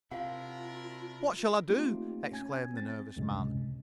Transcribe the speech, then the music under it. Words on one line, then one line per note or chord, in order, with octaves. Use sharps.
"What shall I do?" exclaimed the nervous man.
C3 D4 E4 F4 A#4 F5 F#5
A3 A#3 C4 D#4 F4 G4
C#4 G#5 G#6
C4 A6
C#2 F#2 A2 C3 F#3 G#3